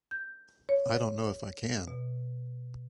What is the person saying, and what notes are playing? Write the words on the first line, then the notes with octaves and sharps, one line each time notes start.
I don't know if I can.
G6
C#5
B2